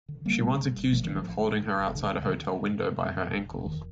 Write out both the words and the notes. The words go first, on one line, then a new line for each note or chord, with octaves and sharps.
She once accused him of holding her outside a hotel window by her ankles.
D3
D3 G3 A#3
A1
G2
G1
A1 F3 A3
D#3 G3
A1
D3 F3
A1
A2
D3
G1
D2 D3
D2
D3
D2 D3
C3
G2 D3
G2
F2
D3
F1
D#2
F1 D#3